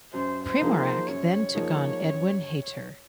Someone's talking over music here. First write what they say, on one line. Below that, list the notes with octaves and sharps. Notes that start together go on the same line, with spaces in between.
Primorac then took on Edwin Hayter.
F#2 C5
C5
F3 A#3 D#4 G#4
C5
F#2 C#5
F3 A#3 D#4 G#4
F#2